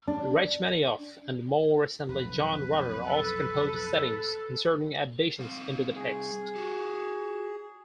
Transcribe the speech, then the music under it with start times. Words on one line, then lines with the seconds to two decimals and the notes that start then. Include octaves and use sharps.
Rachmaninoff and, more recently, John Rutter also composed settings, inserting additions into the text.
0.08 D4
2.09 F1 B1 F2 B4
3.08 A4
5.39 G3 C4 F5
5.95 G#4
6.56 F#4 G4